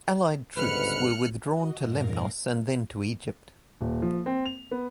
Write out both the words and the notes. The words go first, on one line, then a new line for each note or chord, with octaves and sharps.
Allied troops were withdrawn to Lemnos and then to Egypt.
G1 C#2 G#2 B4 F6 F#6 C#7
F#4 D#5
G2 A#2 A#4 F5 A#6
D#1
F3
C4
F7
B3